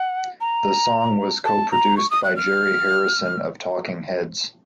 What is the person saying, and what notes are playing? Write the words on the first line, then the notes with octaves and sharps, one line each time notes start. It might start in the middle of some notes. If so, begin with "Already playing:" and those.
The song was co-produced by Jerry Harrison of Talking Heads.
Already playing: F#5
A#5
A5
A#5
C#6
D#6
F#6
F6